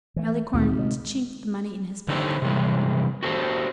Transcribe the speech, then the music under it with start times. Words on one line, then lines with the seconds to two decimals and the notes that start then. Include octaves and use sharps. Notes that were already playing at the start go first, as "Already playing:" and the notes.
Malicorne chinked the money in his pocket.
0.16 E3 A3
0.53 G#1 D2 A#2 D#3
0.77 C3 G3 G#3
2.08 D3 D#4 G4 A4 C5
2.42 C3 E3 G3 G#3
3.23 F#4 G4 A4 C5